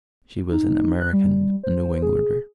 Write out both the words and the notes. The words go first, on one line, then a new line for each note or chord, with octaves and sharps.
She was an American, a New Englander.
D#4
F#6
G3
C5
G#4